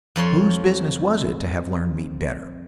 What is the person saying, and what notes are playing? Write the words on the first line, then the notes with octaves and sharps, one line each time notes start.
Whose business was it to have learned me better?
F2 F3 C#5 C6